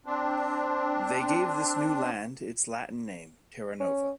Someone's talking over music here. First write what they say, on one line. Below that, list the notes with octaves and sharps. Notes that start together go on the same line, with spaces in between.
They gave this "new land" its Latin name "Terranova".
C4 D4
C#4